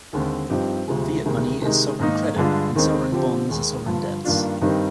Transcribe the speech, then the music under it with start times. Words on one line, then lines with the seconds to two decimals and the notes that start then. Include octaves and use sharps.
Fiat money is sovereign credit and sovereign bonds are sovereign debts.
0.13 D#2 D3 G#3 C4
0.49 G2 F3 C4 D#4 G4
0.88 D2 C3 F3 G#3
1.25 D2 C3 D#3 G#3
1.62 C3 D#3 G#3 D#4
2.00 G#2 D#3 A#3 D#4
2.36 G2 D3 G#3 D4 F4
2.75 D#2 D#3 G#3 C4 D#4
3.12 D3 F3 C4 G4
3.49 D#2 D#3 G#3
3.86 G2 D3 F3
4.24 G2 D#3 A#3 D4 F4
4.61 G2 D#3 G3 C4 D#4